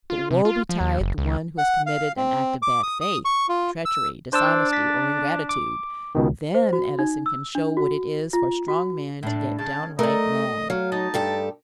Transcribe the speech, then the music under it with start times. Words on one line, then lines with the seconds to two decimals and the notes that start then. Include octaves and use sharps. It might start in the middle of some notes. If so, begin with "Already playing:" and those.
But woe betide the one who has committed an act of bad faith, treachery, dishonesty, or ingratitude; THEN Edison can show what it is for a strong man to get downright mad.
0.10 F4
0.31 C3
0.45 F4
0.69 F3
0.81 D#2
1.00 F#1
1.18 C#2
1.58 F#5
1.86 F5
2.17 C4
2.62 D6
2.83 D#6
3.01 D#6
3.25 C#6
3.49 F4
3.85 E6
4.33 D4 C5 A5 E6
4.73 A6 B6
5.49 D6
6.15 C#2 B2 D#3
6.54 C5
6.73 F#4
6.99 D#4
7.26 E6
7.55 D4
7.77 F#4
8.33 F4
8.68 F#4
9.23 A2 D4
9.59 C#3 A5
9.99 A3 A#4 D5 D#5
10.70 F#3 F5
10.92 D#4 A5
11.14 G2 G4 A4